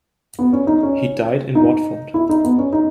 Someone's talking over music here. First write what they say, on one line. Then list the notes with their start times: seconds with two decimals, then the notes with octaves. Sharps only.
He died in Watford.
0.39 B3
0.53 C#4
0.67 D#4
0.83 C#4
1.55 D#4
2.14 E4
2.29 D#4
2.44 B3
2.58 C#4
2.73 D#4